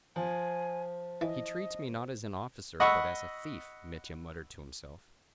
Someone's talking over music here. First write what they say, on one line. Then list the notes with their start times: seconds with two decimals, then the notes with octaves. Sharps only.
"He treats me not as an officer but as a thief," Mitya muttered to himself.
0.16 F3 C5 G#5
1.21 E3 D#5
2.80 D#5 F#5 B5 C#6 E6